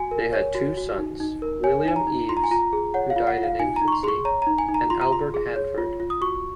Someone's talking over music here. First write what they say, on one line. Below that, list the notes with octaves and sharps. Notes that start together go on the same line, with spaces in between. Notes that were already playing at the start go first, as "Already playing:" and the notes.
They had two sons, William Eves, who died in infancy, and Albert Hanford.
Already playing: F#4 G#5
A#4
C#5
F#4
F#4
D#4
D#4
A#4
C#5 G#5
D#4 G#5
A#5
D#4
F4 C6
A#5
G#5
F4 A#5
G#4
C#5 F#5
F5
F4
F#5
F4
F5
D#4 G#5
A#5
D#4
C#6
C6
G#4 C6 C#6
C#5 A#5
D#4 A#5
G#5
D#4
A#5
F4 C6
A#5
F4 C6
G#4
C#5
F4
F4
D#6
F#4 C#6